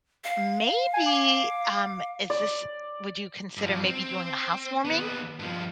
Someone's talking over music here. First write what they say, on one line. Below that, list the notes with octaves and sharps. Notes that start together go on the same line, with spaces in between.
maybe, um is this would you consider maybe doing a housewarming,
F5
G#5
D6
D5
G2 F3
C4
D#2 B3
G2 F3